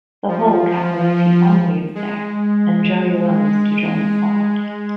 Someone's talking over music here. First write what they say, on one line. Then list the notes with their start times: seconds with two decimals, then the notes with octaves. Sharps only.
The whole Cappelletti family is there, and Joey runs to John's side.
0.28 F3
0.70 F3
1.95 G#3